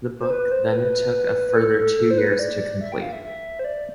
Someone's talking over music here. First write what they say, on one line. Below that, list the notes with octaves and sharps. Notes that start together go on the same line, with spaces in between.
The book then took a further two years to complete.
C5
B4
C5
B4
B4
A4
A4
A4
C5
B4
D5
E5
G5
F5
E5
E5
C5
D5